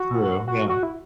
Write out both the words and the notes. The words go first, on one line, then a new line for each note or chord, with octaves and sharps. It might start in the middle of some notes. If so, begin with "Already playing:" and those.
True, yeah.
Already playing: F#4
F#4
F#4
E4